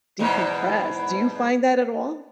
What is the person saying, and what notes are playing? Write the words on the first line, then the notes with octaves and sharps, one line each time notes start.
decompress." Do you find that at all?
E2 G#2 B2